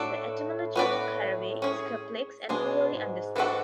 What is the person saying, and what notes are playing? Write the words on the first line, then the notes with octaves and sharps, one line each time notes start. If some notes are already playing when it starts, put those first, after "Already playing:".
The etymology of caraway is complex and poorly understood.
Already playing: A2 D4 F#4 A4 D5
B3 F#4 B4 D5
C#4 G#4 C#5
B2 G#3 D4 G#4
G#2
G#2 E3 B3 D4 F#4 A4